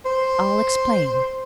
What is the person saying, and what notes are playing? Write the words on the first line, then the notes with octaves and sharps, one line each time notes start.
I'll explain.
C5